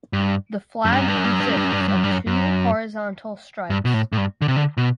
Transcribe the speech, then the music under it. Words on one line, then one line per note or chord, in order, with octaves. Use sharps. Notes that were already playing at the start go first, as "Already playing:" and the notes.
The flag consists of two horizontal stripes.
G2
F#2
G2
F#2
G2
F#2
G2
F#2
G2
F#2
G2
F#2
G2
F#2
G2
F#2
G2
F#2
F#2
G2
B2
A2
A2
G2
D3
C3
D3
B2